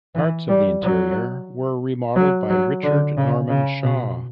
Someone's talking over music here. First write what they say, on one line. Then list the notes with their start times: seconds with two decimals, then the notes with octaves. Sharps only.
Parts of the interior were remodelled by Richard Norman Shaw.
0.15 E3
0.48 G3
0.83 F#3
2.16 F#3
2.50 F#3
2.83 D3
3.17 C#3
3.49 C#3
3.83 B2